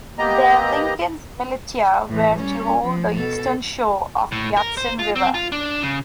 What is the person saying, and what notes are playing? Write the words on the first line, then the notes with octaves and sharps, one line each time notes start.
There Lincoln's militia were to hold the eastern shore of the Hudson River.
A#3 B3 G4 D#5 A#5
A2 E3
G3 C#4
F3
B2 A4
A2
A#4
C5
F4
C4
F4
D4
C#3